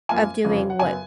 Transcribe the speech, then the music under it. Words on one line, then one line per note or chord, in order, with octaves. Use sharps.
of doing what
F#2 F3 A#3 G#5
F1 F2 C#3
F#5
F#2 C#3 F#3 B3 G#5